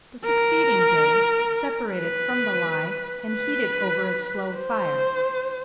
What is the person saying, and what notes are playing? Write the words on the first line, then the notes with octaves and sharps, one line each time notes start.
The succeeding day, separate it from the lye, and heat it over a slow fire.
A#4
B4
B4
C5